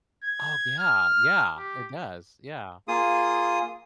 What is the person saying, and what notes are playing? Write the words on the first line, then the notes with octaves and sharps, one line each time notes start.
Oh, yeah, yeah, it does, yeah.
G#6
F6
G4
A#3 F4 G#4 D#6